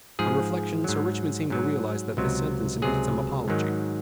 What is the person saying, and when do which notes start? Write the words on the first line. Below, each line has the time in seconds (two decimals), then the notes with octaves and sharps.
On reflection Sir Richmond seemed to realize that this sentence needed some apology.
0.19 G#2 F3 G#4
0.84 G#2 F#3
1.50 G#2 F#3
2.17 C#2 C3 F#3
2.82 C#2 C3 F#3 G#4
3.48 G#2 D#3 F#3